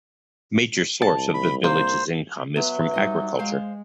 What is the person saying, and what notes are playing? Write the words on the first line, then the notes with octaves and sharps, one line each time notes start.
Major source of the village's income is from agriculture.
C2 A5
B5
A#3 C5
F#3 B3 E5
G3 D#4 D#5
G#3 C5 F5